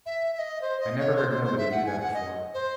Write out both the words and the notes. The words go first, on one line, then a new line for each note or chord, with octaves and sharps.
I never heard nobody do that before.
E5
E5
D#5
C5
D#5
C#5
C5
C5
C5
E5
F#5
G#5
F#5
D#5
C5